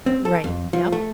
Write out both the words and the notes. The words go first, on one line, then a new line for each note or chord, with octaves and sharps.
Right, yup,
C4
A4
F2
F3
A3